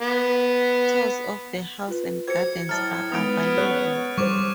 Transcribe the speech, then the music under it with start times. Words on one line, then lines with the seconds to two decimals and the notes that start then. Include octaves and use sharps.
Tours of the House and Gardens are available.
0.02 B3
1.88 F4 B4
2.28 F#4 A4 C5 G#6 C#7
2.69 A2 F#3 A5 A#5 F6 A6
3.12 G#3 B3 D#4 D#6 D7
3.58 C#5 F#6
4.18 G3 C5 C#6 D6